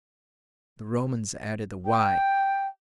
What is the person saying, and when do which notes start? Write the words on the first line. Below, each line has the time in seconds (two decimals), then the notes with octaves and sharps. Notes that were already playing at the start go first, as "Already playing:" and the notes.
The Romans added the y.
1.84 G5